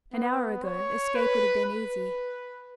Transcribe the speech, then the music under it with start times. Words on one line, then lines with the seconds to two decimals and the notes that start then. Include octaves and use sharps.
An hour ago escape would have been easy.
0.14 B3
0.64 C#5
1.15 B4
1.66 B4